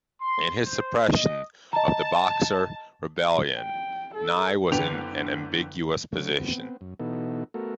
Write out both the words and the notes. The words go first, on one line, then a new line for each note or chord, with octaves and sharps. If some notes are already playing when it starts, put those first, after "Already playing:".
In his suppression of the Boxer Rebellion, Nie was in an ambiguous position.
C6
C5
D#5
D#5 A5 A#5
G5
A4
F#1 D3 B3 G5 F7
C#3 F#3 A3
B3 C4
F#2
B2 E3 B3 D#4 A4
A3 B3 F#4 A4 A#4